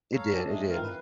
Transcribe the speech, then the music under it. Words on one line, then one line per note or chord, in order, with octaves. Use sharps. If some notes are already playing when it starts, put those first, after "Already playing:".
It did. It did.
A4 C#5 F5 A#5
F3 G3 C#4 D4
G2 G#3 A3 D#5
D#3 E3 C4 F4 A#4 F5
B4